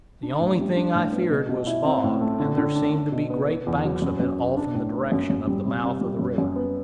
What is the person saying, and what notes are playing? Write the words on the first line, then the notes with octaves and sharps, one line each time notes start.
The only thing I feared was fog, and there seemed to be great banks of it off in the direction of the mouth of the river.
D4
A2
G3
D4
A2
B3
B2
B2
E4
C4
A2
A3
D3
D3
D4
D4
B2
B3
B3
E2
F#3
F#2
F#2
B3
D4
A2
B3
F#2
F#2
G3
C3
C3
G3
F#2
F#2
B3